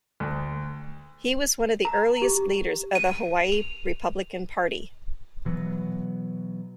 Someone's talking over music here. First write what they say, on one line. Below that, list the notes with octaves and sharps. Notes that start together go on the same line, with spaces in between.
He was one of the earliest leaders of the Hawaii Republican Party.
D2
A#5
G4
D#7
F7
B2 E3 F#3 B3